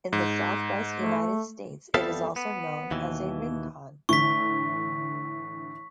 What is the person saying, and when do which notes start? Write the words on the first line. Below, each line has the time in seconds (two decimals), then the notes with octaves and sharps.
In the southwest United States it is also known as a rincon.
0.13 G#2
0.95 A3
1.94 F2 G3 B3 A4 E5 F5
2.36 B3
2.91 D#2 B2 E3
4.09 A2 D3 E3 C#6 B6